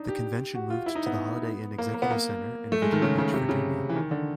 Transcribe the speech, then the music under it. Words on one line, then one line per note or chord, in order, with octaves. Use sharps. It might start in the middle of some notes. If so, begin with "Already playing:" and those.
The convention moved to the Holiday Inn Executive Center in Virginia Beach, Virginia.
Already playing: D4 D#4
G4
F#4
F4
E4
D#4
B3
A#3
A#3
B3
A#3
A3
G#3
D#3
C#3
C#3
C3
C#3
E3
D#3
D3